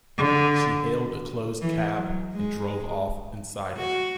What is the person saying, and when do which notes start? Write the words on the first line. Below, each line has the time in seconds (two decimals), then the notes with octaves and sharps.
She hailed a closed cab and drove off inside it.
0.18 D3
1.62 E3
1.98 F#3
2.34 G#3
3.79 F#4